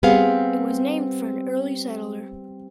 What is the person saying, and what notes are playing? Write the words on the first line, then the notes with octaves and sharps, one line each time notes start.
It was named for an early settler.
G3 B3 C4 G#4 F5